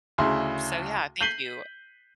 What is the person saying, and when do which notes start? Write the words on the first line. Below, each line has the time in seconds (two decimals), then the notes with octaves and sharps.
so, yeah, thank you.
0.18 D2 C#3 E4 G#4 C6
1.21 G6 B6 C7 D#7 F#7 G7